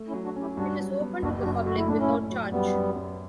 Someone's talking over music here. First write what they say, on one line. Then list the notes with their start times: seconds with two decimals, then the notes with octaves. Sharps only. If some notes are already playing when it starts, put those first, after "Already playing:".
It is open to the public without charge.
Already playing: A3
0.08 C#4 E4
0.14 F#3
0.25 D4 F#4
0.36 C#4
0.41 E4 G4
0.57 G2 D4 F#4
0.79 F#3
1.00 B3
1.22 F#1 D4 F#4
1.39 G4
1.43 F#2 D4 F#4
1.65 A3 F#4
1.77 E4
1.88 A2 D4
1.99 C#4 E4
2.09 A2
2.30 F#3
2.52 F#2 G3 B3
2.73 F#2
2.96 F#2